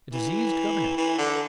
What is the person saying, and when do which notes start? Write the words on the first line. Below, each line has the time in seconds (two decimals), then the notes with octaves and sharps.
A diseased governor?
0.13 E3
0.97 E3
1.18 D3